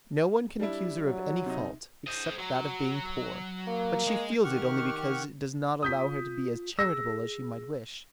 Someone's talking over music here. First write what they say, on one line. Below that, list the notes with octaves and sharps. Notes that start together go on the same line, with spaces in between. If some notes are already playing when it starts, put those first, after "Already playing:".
No one can accuse her of any fault, except that of being poor, but she feels it only because it does not allow her to be as charitable as she might wish.
G3 D4 E4
F#3
C3 D#4
C5 D#5
F#3
A#3
G#3
D#3 G4 F#5 C#6 F6
F4 D#6 G6 B6
G#4 E6 A#6